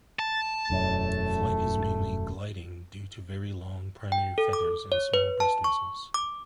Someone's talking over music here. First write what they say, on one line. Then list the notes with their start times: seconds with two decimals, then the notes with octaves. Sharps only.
Flight is mainly gliding due to very long primary feathers and small breast muscles.
0.19 A5
0.70 E1 F#2 A3
4.12 G5
4.38 A4
4.53 D6
4.92 C#5
5.14 B4
5.40 A5
5.64 C#6
6.14 D6